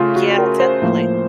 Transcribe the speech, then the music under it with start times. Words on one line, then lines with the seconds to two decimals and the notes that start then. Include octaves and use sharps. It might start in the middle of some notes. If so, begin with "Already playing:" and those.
Yeah. Definitely.
Already playing: C#3 A3 F4
0.16 F#4
0.38 A#4
0.60 C5
0.82 A2 F3 A#3